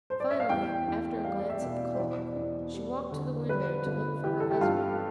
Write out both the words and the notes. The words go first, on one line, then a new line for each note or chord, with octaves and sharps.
Finally, after a glance at the clock, she walked to the window to look for her husband.
C5
D5
E5
F5
E2 G5
E2
G3 F5
D5
E5
B2
C5
E2 D5
E2
G3
D3
G3 B4
G1
E3 G4
A4
G4
G2 F4